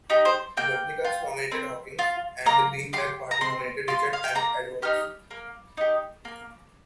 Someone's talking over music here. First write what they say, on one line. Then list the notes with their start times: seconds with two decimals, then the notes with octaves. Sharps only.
Republicans nominated Hawkins, and the Greenback Party nominated Richard M. Edwards.
0.10 D#4 G4
0.25 C5
0.57 A#3 G5
1.04 F4
1.52 C4
1.99 F4
2.46 A#3 A#5
2.93 G4 C6
3.31 A#5
3.41 C4 C6
3.88 F4 C6
4.13 F5
4.24 G5
4.35 A#3 A#5
4.82 D#4 G4 F6
5.31 A#3
5.77 D#4 G4
6.25 A#3